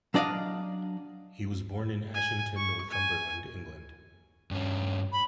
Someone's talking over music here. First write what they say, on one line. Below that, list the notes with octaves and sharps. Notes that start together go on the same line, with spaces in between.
He was born in Ashington, Northumberland, England.
F#3 D4 D5 D#5 F5
G#5
C#6
G#5
G2 C#4
B5